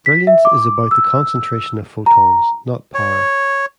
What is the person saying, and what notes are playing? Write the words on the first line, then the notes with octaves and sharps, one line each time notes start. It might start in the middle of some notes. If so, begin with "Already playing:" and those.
Brilliance is about the concentration of photons, not power.
B6
E5
D6
E6
A#5
C#5